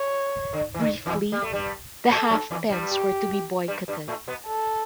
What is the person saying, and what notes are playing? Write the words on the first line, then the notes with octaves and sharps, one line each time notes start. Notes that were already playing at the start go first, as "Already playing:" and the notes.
Briefly, the half-pence were to be boycotted.
Already playing: C#5
D3
E3
D3
E2 E3
G3
A3
G2 G3
A2 A3 A4
F#2 F#3
E2 E3
G2 G3
G4
G2 G3
G2 G3
A2 A3
B2 B3
A4